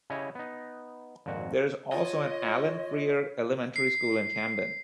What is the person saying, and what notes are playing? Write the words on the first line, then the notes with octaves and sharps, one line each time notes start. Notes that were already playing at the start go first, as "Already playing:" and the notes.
There is also an Allen Frear Elementary School in Camden.
C#3 E4 G4 C#5 D#5
B3 D#4
G#1 F2 A#2 F#4
F4 C#5 D#5
C7